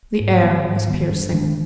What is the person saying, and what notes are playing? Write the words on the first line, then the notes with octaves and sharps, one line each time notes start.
The air was piercing.
G#2
D#3 G3 B3
G#2
D#3 G3 B3
G2
D#3 G#3 D4